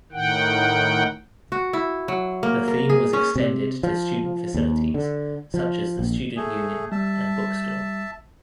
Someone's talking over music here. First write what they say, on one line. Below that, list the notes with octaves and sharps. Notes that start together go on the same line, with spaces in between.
The theme was extended to student facilities such as the student union and bookstore.
A2 D#3 F#5 G5
F#4
E4
F#3
A#3
A#4
G#4
C#4
C3
F3
D#2
D3
F3
A#1
A3 G#4
G3 E5 A5